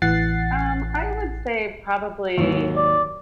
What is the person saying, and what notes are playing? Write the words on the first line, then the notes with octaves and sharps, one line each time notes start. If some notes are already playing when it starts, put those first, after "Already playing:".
Um, I would say probably
A1 E3 F#5 A6 C7
D#2 G#2 F#3
D5